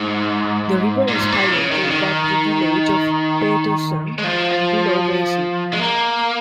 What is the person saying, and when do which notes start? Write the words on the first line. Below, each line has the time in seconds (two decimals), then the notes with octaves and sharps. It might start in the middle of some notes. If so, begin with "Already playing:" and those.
The river is tidal to above the village of Paterson and below Vacy.
Already playing: G#2
1.08 A#2
1.13 G#2
1.32 A#2
1.52 C#3
1.71 D#3
1.83 C#3
1.91 D#3
4.18 G#3
4.24 F3
5.73 G#3
5.79 A#3